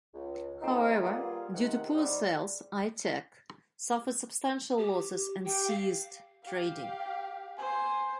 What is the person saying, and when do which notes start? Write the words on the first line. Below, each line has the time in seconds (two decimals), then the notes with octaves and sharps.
However, due to poor sales Eyetech suffered substantial losses and ceased trading.
0.14 C#2
0.61 F3 A3 C4 D#4
0.88 D#2 D#3 A3 A#3
1.02 G3 A#3 B3 F4 G#4
1.54 C3 D#3 F#5
1.94 G#2 G3
4.78 G4
5.45 G4 G5
5.68 F5
6.43 G4 F5
7.58 C5 G#5